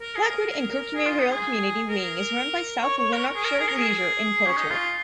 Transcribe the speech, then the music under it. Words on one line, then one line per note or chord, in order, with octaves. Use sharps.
Blackwood and Kirkmuirhill Community Wing is run by South Lanarkshire Leisure and Culture.
A#4
G#4
A#4
A#4
A#4
G#4
F4
D#4
G#4
A#4
C#5
C#5
A#4
G#4
A#4
G#4
A#4
G#4
C#4
D#4
F4